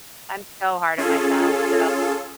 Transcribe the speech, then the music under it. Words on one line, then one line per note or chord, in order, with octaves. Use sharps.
I'm so hard on myself, so
C#4 F4 G#4 A4